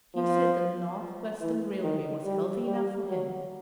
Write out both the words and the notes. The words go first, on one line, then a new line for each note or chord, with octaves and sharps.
He said the North-Western Railway was healthy enough for him.
F3
E3
D#3
G3
G3
F#3